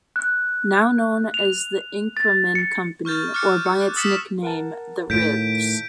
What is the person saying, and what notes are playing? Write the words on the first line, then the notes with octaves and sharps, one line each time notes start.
Now known as the Inkerman Company, or by its nickname "The Ribs".
F#6
F7
A6
C#7
C#6 F6 G6 A6
D6 F6 F#6 A6 C#7
C#7
F#6
D#6 E6 A6 B6 C#7 E7
A#4 F#5 A5
A2 D#3 G6 B6 D7